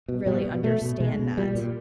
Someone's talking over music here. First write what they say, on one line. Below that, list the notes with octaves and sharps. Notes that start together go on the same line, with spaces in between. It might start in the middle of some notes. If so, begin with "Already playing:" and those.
really understand that
B2
B2 G3
B2
B2 A3
B2
B2 G#3
B2
A#2 G3
A#2